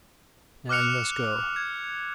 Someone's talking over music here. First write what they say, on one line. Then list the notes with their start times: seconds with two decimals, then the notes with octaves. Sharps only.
Now you must go.
0.69 D6 F6 F#6 C#7 F7
1.56 G#6